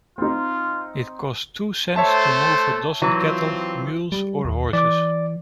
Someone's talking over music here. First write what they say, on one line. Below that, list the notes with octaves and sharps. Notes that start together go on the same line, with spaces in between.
It cost two cents to move a dozen cattle, mules or horses.
C4 D#4 F4
A3 A4 C5 C#5 E5 A5
E3 F#3 C4 F4
G3
D#2
E3 D5 D6